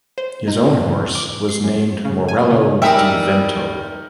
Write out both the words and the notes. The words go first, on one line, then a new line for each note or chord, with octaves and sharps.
His own horse was named Morello di Vento.
C5
D#4
D3
G2
G#2
D6
C7
F#2
C#3
G#5
C#3
G3 D#4 A#4 E5 G5 G#5 D#6